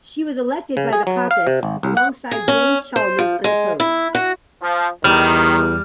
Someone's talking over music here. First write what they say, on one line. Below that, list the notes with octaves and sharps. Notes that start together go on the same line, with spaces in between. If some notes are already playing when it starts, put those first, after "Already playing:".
She was elected by the caucus alongside Jim Chalmers unopposed.
C#3
G#4
F#3
F5
C3
G#1
C2
F#5
G#4
C#4
C5
F3
G#3
E4
F#4
F3
E2 D#3 G3 F6